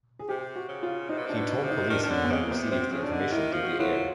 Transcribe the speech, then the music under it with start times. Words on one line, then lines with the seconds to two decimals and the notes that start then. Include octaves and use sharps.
He told police he had received the information through the air.
0.19 G#4
0.29 C3 G4
0.56 F#4
0.68 C#3
0.83 F4
1.09 C3 D#4
1.18 B2
1.26 C3 D4
1.36 B2
1.50 D#4
1.63 C3
1.71 D#4
1.90 D#3 D4
2.03 D#3 D4
2.11 D3 C#4
2.25 B3
2.30 C#3 C4
2.45 A#3
2.51 C3 B3
2.71 C3 C4
2.92 C#3 C#4
3.03 D4
3.12 D3 D#4
3.32 D#3 E4
3.53 F3 F4
3.63 F#4
3.71 F4
3.79 F#3 E4
3.97 F4